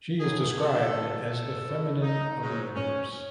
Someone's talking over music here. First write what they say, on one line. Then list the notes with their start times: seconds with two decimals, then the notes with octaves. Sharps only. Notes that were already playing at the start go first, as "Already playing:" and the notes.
She is described as "the feminine of the universe".
0.20 B2 F#3 G#4
0.57 A4
0.92 F#2 E3
1.29 A4
1.66 A2 F#3
2.01 D#4
2.38 G#2 F#3 D#4
2.74 C#4